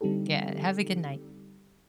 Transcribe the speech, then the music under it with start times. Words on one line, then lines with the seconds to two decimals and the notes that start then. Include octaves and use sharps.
Yeah, have a good night.
0.01 D3 G3 C4 D#4 G4 A4